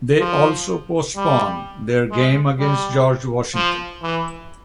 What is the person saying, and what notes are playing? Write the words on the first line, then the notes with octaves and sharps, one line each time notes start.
They also postponed their game against George Washington.
F3
G3
G#3
G3
F3
E3